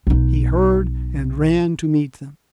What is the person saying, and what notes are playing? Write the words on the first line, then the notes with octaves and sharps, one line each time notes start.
He heard, and ran to meet them.
B1 D#4